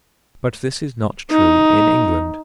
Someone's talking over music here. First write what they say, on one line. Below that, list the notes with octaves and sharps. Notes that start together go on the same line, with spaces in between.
But this is not true in England.
D#4